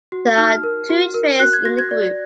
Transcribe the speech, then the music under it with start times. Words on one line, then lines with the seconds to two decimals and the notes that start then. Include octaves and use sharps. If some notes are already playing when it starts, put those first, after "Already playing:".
There are two trains in the group.
0.12 F#4
0.38 D#4 F6
0.63 A#4
0.89 F#4
1.14 A#4
1.40 F#4 F#6
1.53 G#6
1.65 F#4 A#6
1.79 G#6
1.91 D5